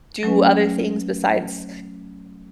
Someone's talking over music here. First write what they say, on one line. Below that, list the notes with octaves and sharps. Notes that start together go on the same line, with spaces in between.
do other things besides
F#3 A3 C#4 B4